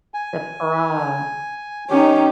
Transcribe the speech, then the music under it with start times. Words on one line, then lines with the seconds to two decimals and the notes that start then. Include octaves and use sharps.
The bra.
0.14 G#5
1.90 D#3 C#4 D#4 G4